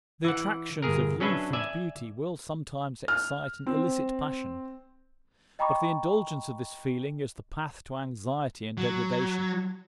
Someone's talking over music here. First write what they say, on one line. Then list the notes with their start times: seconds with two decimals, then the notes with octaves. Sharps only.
The attractions of youth and beauty will sometimes excite an illicit passion, but the indulgence of this feeling is the path to anxiety and degradation.
0.24 E3 F#5
0.82 G1 G#4 A#4
1.20 F#3 C#4 D4 B4 E5
1.53 D5 E5 G#5
3.08 F6
3.67 C4
5.59 D#5 G5 A#5 B5 C#6 D6
8.78 F#3